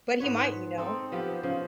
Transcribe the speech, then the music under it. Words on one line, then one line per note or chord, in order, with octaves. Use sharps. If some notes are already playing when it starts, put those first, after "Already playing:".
But he might, you know.
G#2 B3 B4 C#5
C4 D#4 A4
F3 B3 G4
C#3 F3